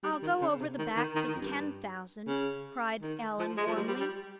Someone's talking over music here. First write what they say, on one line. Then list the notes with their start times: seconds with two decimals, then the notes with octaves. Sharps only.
"I'll go over the backs of ten thousand!" cried Allan, warmly.
0.03 G3
0.22 D#3
0.41 C#3
0.59 C3
0.78 D#3
0.97 D#3
1.15 D#3
1.28 D#3
1.35 F2
1.40 G2
2.27 C#3
3.02 D#3
3.39 F3
3.57 G#3
3.67 F3
3.76 G3
3.88 G3
4.00 G3